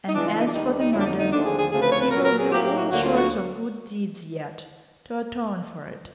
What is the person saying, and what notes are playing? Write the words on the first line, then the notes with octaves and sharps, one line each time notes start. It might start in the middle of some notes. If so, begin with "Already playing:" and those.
And as for the murder, he will do all sorts of good deeds yet, to atone for it.
D#4
C#3 E3 G#3 B3 D4
F4
E4
D#4
D4
D#2 D#3 G3 D#4
D4
D#4
F2 D3 F#3 A3 E4
D4
D#4
D#4
D#2 D3 F3 A3 C4 D4
G#4
G#4
D2 C#3 F3 A3 C4 G#4
B4
C#5
B4
A#2 F#3 B3 A#4
A#4
G#4
A2 F#3 A#3 G4
G4
F#4
D2 D3 F#3 A#3 F#4
F4
F#4